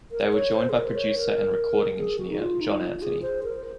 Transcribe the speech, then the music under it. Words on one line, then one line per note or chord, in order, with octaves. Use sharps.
They were joined by producer and recording engineer John Anthony.
A#4
C#5
C5
G#4
A#4
C#5
A#4
G#4
F#4
D#4
F4
D#4
F4
G#4
C5
A#4